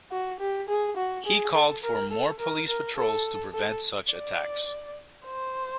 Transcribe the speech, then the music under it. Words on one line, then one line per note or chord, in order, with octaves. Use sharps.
He called for more police patrols to prevent such attacks.
F#4
G4
G#4
F#4
G#4
A4
A#4
A4
A#4
A#4
A4
A4
D5
C5